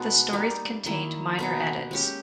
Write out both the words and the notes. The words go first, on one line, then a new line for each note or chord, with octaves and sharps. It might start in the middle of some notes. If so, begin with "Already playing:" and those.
The stories contained minor edits.
Already playing: B2 G#3 D#4
G3 A#3 D#4
D#3 A#3 E4
B2 A#3 D#4
G#3 C#4 G4